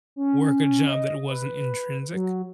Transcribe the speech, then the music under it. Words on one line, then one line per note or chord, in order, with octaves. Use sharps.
work a job that wasn't intrinsic,
C#4
D#5
B4
F#3